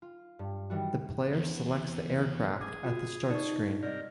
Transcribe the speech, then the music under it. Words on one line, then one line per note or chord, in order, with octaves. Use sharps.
The player selects the aircraft at the start screen.
F4
G2
D#3 E3 G3 F#4
E2
G#4 D6
F4 F#4 G5
D#4 D5 C#6
C3 A#4 D5 D#5